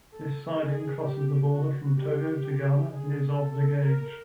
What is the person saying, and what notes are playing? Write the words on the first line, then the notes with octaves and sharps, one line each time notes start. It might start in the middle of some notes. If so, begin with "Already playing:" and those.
This siding crosses the border from Togo to Ghana and is of the gauge.
A4
G#4
G4
F#4
G4
G#4
A4
A#4